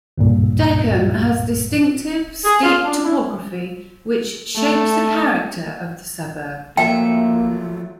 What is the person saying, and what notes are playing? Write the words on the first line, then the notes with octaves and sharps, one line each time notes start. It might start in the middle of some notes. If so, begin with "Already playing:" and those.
Deckham has distinctive, steep topography which "shapes the character" of the suburb.
C#2 G2 A#2
G#4
F4
D4
E4
A3
F3 F#3 A3 A#3 E5 G5